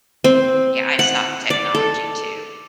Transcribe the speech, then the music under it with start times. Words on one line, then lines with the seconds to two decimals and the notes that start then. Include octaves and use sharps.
Yeah, I stopped technology too,
0.24 C4
0.99 F#5
1.50 D5
1.75 A4